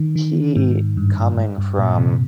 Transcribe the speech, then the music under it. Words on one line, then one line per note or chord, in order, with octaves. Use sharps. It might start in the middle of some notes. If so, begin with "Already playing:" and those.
he coming from,
Already playing: D#3
D#3
G#2
G2
G#2
G2
A#2
C3